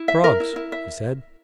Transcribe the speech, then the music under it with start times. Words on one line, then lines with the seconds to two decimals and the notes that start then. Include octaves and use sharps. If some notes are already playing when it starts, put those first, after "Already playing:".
"Frogs," he said.
Already playing: E4
0.08 E5
0.24 A#4
0.40 E4
0.56 E4
0.72 E5